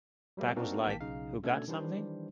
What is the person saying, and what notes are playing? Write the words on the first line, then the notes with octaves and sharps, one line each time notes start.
'Pac was like, Who got something?
F#3 G3 A3 A#3 C4
A#3 C4 D4 D#4 F#4 A#4
A1 D#3 A#3 G5 A5 B6
B1 C#3 D#4 F5
B2 A3 C#4 D4 A4 G#6
D#3 E3 G3 D4 C5